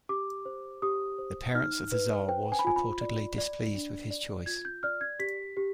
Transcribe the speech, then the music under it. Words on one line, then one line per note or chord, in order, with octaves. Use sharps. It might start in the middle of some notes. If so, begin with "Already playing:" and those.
The parent's of the tsar was reportedly displeased with his choice.
G4 D6
C5
G4 D#6
C5
D#4 F6
B4
C5 G5
G#5
B5
F4 G#5
B5
D5
D5
D4
D5
F4 G#6
G6
D5 F6
G#6
G4 B6
G4